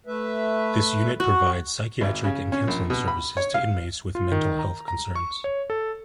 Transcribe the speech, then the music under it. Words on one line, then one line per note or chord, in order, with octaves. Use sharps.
This unit provides psychiatric and counselling services to inmates with mental health concerns.
A3 B4 E5
F#4
G#1
C#3
C#4
A#1
B2
B5
C#5
F5
F4
D#3
A#5
A#5
C#6
C#5
A4